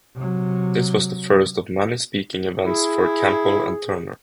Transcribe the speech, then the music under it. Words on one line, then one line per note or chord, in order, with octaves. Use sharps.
This was the first of many speaking events for Campbell and Turner.
C3 F#3
E4 G#4